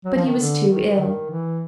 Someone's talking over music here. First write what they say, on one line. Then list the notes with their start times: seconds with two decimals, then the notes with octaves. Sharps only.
But he was too ill.
0.05 F#3
0.15 F3
0.26 D#3
0.37 D3
0.68 D#3
0.99 D#3
1.30 E3